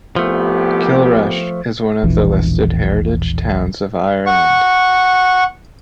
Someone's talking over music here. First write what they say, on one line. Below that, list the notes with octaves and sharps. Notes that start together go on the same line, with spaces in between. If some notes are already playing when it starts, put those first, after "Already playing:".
Kilrush is one of the listed Heritage Towns of Ireland.
C2 F3 A3 B3 G4
E1 A#1 E3
F#5 C#6